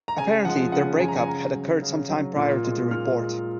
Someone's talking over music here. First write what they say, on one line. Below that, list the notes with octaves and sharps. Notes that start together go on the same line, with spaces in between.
Apparently, their breakup had occurred some time prior to the report.
A#5
C#3 G#5
F3 G#3 F#5
C#3 F#5
F3 G#3 G#5
A#5
G#5
C#3 A#5
F#3
C#3
F#3
A#2
G#3
A#2 F6
G#3